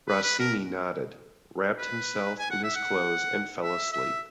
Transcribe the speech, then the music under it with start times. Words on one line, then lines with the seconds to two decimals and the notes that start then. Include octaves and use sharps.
Rossini nodded, wrapped himself in his clothes and fell asleep.
0.08 B4
0.23 B4
0.40 A#4
1.78 B4
2.39 G#5
2.51 F#5
2.64 E5
2.76 F#5
3.63 E5
3.93 E5